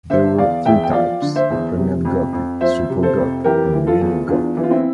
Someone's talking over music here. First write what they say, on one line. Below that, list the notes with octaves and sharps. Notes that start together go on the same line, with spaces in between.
There were three types: the Pregnant Guppy, Super Guppy, and Mini Guppy.
D3 C5 E5
E2 D5 F5
E2 E5 G5
G5
F3 D5 F5
D3
C5 E5
E2
C3
F2
F2
F3 C5 E5
C3
A4 C5
F2
E3 G4 A#4
E3
F4 A4
E2
E2 D4 F4
E3
F4
C4 E4